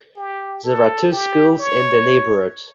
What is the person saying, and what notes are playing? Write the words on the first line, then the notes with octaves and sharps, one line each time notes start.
There are two schools in the neighbourhood.
G4
A4
G4
C#5